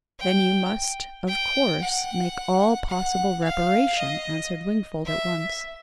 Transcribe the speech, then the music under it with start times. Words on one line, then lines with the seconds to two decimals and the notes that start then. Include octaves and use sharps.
"Then you must of course make all possible reparation," answered Wingfold at once.
0.19 G5
1.27 G5
1.82 F#5
2.89 F#5
3.44 F5
3.98 D#5
5.05 E5